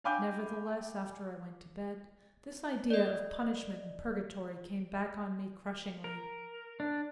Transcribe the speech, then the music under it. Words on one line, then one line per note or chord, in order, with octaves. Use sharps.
Nevertheless, after I went to bed, this idea of punishment and Purgatory came back on me crushingly.
F5 G5 G#5 B5 D6 G6
D5 D#5
A#4
D4